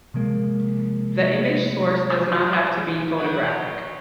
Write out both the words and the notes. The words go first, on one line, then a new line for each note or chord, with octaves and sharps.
The image source does not have to be photographic.
C3 F3 G#3 A#3
C#5 F#5